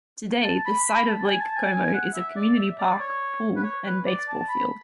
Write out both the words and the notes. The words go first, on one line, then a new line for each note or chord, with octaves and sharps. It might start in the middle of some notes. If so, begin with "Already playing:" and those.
Today, the site of Lake Como is a community park, pool, and baseball field.
A5
B5
B5
A5
G#5
A5
G#5
G#5
G#5
F#5
E5
D5
E5
D5
C#5
B4
C#5
B4
D5
A5
B5